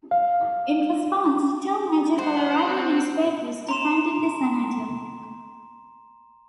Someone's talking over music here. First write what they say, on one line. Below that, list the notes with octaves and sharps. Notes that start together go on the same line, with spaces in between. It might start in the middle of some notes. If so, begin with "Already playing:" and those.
In response, two major Colorado newspapers defended the Senator.
F5
C5 F#5
C4
A#5 C6 E7